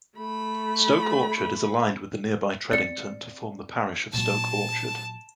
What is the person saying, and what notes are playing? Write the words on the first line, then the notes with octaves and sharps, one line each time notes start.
Stoke Orchard is aligned with nearby Tredington to form the Parish of Stoke Orchard.
A3 B5
C4 D5 C#7
A#2 F#3 A5